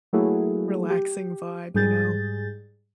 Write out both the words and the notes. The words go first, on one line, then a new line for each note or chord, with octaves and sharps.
relaxing vibe, you know,
F#3 A3 A#3 E4 F#4 G#4
G4
G#2 G3 G#4 G6 A6